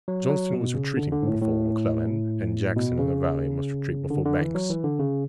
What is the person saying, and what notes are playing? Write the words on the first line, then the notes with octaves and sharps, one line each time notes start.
Johnston was retreating before McClellan, and Jackson in the valley must retreat before Banks.
F#3
F#3
B2
C#3
D3
D3
G#2
A2
A2
B2
C#3
D3
D3
E3
F#3
E3
D3
C#3